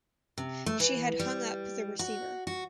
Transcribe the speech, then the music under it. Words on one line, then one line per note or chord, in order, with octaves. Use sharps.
She had hung up the receiver.
C3
A3
E3
G3
F#4
F#4